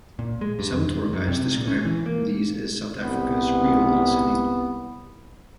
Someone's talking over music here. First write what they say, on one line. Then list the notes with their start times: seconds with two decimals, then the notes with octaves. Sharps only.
Some tour guides describe these as South Africa's "real" lost city.
0.19 A#2
0.41 G#3
0.59 G2
0.73 F2
1.13 F#2
1.28 C3
1.56 A#2
1.68 C#4
1.85 E3
2.06 A#3
3.03 C2 B3